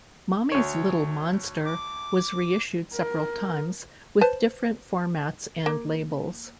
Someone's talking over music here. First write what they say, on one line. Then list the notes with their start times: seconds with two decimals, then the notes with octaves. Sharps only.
"Mommy's Little Monster" was reissued several times, with different formats and labels.
0.52 D2 C#5
1.65 D6
2.94 A#4
4.21 B4 C5 A5
5.66 A#3